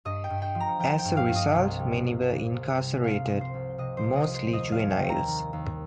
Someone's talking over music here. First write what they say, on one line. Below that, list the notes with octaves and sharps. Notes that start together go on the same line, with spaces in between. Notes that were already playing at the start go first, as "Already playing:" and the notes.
As a result many were incarcerated, mostly juveniles.
G2 D#5
G5
G2
G5
F3
A#5
F3 G5
G5
G2
F5
G2
D#5
C2
G3
C2
C3
C2
G3
C2 F5
F3
C5
C2
C3 D#5
C5
C2
D#5
F3
C5
D#2 D#5
F5
G3
G5
D#2
A#5
D#3
D#2